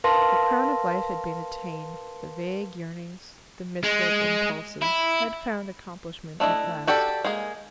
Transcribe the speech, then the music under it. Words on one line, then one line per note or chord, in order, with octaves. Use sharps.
The crown of life had been attained, the vague yearnings, the misread impulses, had found accomplishment at last.
A#4 B4 F5 A5 C6 A#6
G#3
E4
A3 D4 E4 D#5
F#4 G4 A4 D5
G#3 A#3 G#4